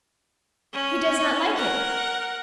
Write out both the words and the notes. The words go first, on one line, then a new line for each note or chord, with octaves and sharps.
He does not like it!
C#4
A#4 F#5